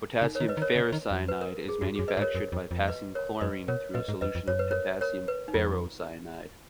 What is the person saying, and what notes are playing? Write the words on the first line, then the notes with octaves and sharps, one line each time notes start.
Potassium ferricyanide is manufactured by passing chlorine through a solution of potassium ferrocyanide.
C#3 D#4
A#4 C#5
D#3
B4 D#5
D#3
A#4 C#5
C#3
D#3
F2
B4
A#4
G#4
F#2 F#4
F#2 G#4
B4 D#5
G#2
A#4 C#5
F#2 A#4
F2
F2
B4 D#5
A#4 C#5
F#2 B4 D#5
B2 A#4 C#5
A#2 B4 D#5
G#2
F2 B4 D#5
F2
F#2 C#5
B4
A#4 C#5
A#4 C#5
B4
D#4
F2 F4